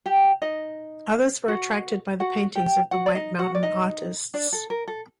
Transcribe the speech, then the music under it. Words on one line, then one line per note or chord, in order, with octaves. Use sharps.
Others were attracted by the paintings of the White Mountain artists.
G4 G5
D#4 D#5
F#4 F#5
F#4 F#5
G4 G5
F#4 F#5
D5
D#4 D#5
F#4 F#5
D5
D#4 D#5
D4 D5
A4
A#4
A4